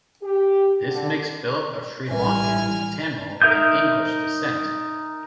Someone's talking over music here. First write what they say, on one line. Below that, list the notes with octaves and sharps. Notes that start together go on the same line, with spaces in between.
This makes Philip of Sri Lankan Tamil and English descent.
G4
D3
A1 E3 G3 G#5 F6
D#4 A#4 E5 D#6 G6